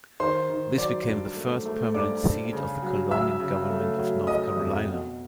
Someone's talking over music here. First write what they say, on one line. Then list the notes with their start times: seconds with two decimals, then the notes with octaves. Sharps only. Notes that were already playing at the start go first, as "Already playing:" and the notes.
This became the first permanent seat of the colonial government of North Carolina.
0.20 D#3 C5 C6
0.50 D#3
0.78 F#3 D5 D6
1.07 G2
1.36 A3
1.65 A3
1.94 G2 D5 D6
2.23 G2
2.53 C#3
2.83 F#3
3.11 F#3 E5 E6
3.40 C#3
3.70 A3
3.99 F#3
4.27 F#3 D#5 D#6
4.56 F2
4.86 B2